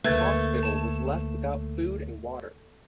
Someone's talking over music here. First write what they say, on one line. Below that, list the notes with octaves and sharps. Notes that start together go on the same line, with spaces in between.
The hospital was left without food and water.
D2 A3 A#3 B4 G#6 A6
A5 E7